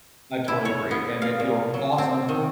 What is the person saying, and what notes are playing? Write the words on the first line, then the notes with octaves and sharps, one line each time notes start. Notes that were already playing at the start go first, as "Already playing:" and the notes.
I totally agree and they they were awesome,
E4
C#5
B3
F5
A#2
F#3
C4
D#3